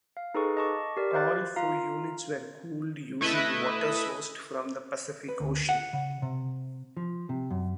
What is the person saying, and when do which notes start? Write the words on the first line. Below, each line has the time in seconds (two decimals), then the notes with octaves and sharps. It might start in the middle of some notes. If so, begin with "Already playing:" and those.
All four units were cooled using water sourced from the Pacific Ocean.
0.17 F5
0.34 D#4 G#4 A4 B4 D#5 C#6
0.57 D#5 A5 C#6 D6
0.97 G4 A#4 D5
1.13 C5 F5 F#6 A6
1.56 F4 F5 A#5
3.21 A3 E4 B4 D#5 E5
5.29 B4
5.40 D2
5.69 F#5
5.93 C#3
6.22 C3
6.97 F3
7.29 C3
7.51 F#2